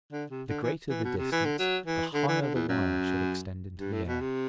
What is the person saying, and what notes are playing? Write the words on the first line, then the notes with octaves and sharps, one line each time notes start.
The greater the distance the higher the wire should extend into the air.
D3
C3
D3
E3
E3
B2
C3
E3
D3
F#3
E3
D3
E3
D3
E2
F#2
G2
A2
B2
C3